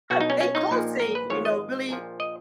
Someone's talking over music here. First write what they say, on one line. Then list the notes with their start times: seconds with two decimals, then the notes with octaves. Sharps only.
Yeah, they all seem, you know, really
0.10 B1 B2 F#4
0.21 D#4
0.30 C#4
0.40 C#4
0.55 D#4
0.70 A#1 A#2 F3
1.00 A#4
1.15 B4
1.30 G#1 G#2 F3 C#5
1.45 D#5
1.89 A#1 A#2 F3
2.20 D#5